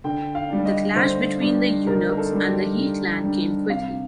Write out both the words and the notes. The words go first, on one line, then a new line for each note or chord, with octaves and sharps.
The clash between the eunuchs and the He clan came quickly.
D3 G5
F5
G3 D4
D#5
D3 C5
G3 D4
D3 A#4
A#4
A4
G3 D4
G4
D3
G3 D4
C3 F5